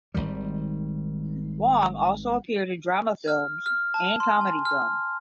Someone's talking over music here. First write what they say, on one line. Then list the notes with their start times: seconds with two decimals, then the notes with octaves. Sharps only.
Yung also appeared in drama films and comedy films.
0.14 G#1 C#2 D#3 G3
3.28 F6
3.66 F6
3.94 A5
4.20 C6
4.41 G#5
4.65 F6